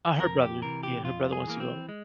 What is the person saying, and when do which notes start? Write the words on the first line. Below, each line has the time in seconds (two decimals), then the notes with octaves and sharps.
Ah, her brother. Yeah, her brother wants to go.
0.20 F2 A#4
0.41 G4
0.62 C3 E3 A#4
0.83 G4
1.04 F2 F4
1.32 G#4
1.47 E3 A#3
1.60 C4
1.89 G#3